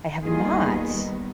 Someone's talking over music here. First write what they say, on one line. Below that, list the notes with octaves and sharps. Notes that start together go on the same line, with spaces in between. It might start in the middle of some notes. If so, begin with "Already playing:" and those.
I have not.
D#2 D#3 G3 B3 F4 G#4